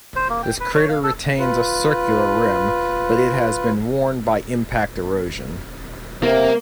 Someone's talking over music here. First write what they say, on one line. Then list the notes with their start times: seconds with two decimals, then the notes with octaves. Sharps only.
This crater retains a circular rim, but it has been worn by impact erosion.
0.16 C5
0.30 A#3
0.43 G5
0.60 B4
0.75 C#5
0.89 F5
1.03 A4
1.39 F4 B4
6.23 C3 A#3